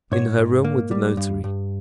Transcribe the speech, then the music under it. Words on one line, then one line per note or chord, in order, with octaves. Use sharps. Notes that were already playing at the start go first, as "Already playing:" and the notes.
"In her room with the notary."
G#2 C#5
G#2
A#3
G3
G2
G2